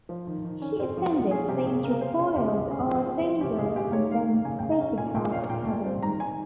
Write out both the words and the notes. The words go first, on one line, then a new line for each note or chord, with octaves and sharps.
She attended Saint Raphael the Archangel and then Sacred Heart Academy.
F3
D#3
D#3
C#4
C4
F3
F3
C#4 G#4
C3 G4
A#3 G#4
C#3 A#4
C#3 C5
C#4 C#5
C#3 G4
C#3 G#4
C#4 G#4
F3
F3
C4
C#4 G4
C#3 G#4
G#3 G4
D#3 C#5
D#3 F5
A#3
C#3 G#5
C#3 G5
A#5
C#4
A#2 G#5
A#2 G5
C#4 F5
A#2 G5
A#2
C4
D#3 A#5
D#3 G#5